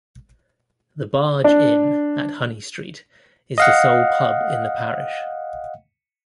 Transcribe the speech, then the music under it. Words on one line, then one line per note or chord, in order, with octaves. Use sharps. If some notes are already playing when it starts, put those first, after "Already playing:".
The Barge Inn at Honeystreet is the sole pub in the parish.
D4
D#5 F5 F#5